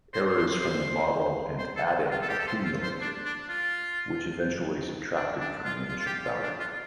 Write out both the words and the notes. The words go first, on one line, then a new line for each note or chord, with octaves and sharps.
Errors from the model and adding accumulate, which eventually subtracted from the initial value.
C5
C5
C5
C5
A4
F4
A4
G4
A4
C5
F4
C5
D4
D4
F4
D4
D4
F4
F4
F4
G4
F4
D4
F4